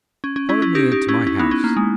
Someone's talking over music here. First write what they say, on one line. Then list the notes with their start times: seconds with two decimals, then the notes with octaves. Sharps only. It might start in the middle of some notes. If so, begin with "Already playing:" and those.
Follow me into my house.'
0.24 C#4
0.36 C#4
0.49 C#4 E4
0.62 C#4 E4
0.75 D#4 G4
0.92 D#4 G4
1.08 C#4 E4
1.27 C#4 E4
1.39 B3 D#4
1.51 C#4
1.64 A#3
1.77 G#3